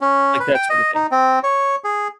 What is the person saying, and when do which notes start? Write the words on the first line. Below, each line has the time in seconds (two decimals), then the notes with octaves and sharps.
like, that sorta thing,
0.01 C#4
0.40 B4
0.54 G5
0.70 D#5
0.95 D#4
1.11 C4
1.43 C#5
1.84 G#4